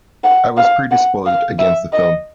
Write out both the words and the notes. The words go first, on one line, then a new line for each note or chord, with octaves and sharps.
I was predisposed against the film.
F#5
F5
F#5
F5
E5
D#5